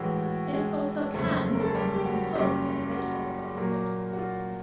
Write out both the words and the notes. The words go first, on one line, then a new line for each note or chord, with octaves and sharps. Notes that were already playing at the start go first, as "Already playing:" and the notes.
It is also canned and sold as a vegetable for export.
Already playing: A2 E3 G#3 F#4
F#4
G#3 G#4
F#1 E2 C#3 F3 A3
A#4
A4
G#4
G3 G4
G4
F#4
F#1 F#2 C#3 G3 G4
F#4
A#2 F#3 A#3
F#4
F4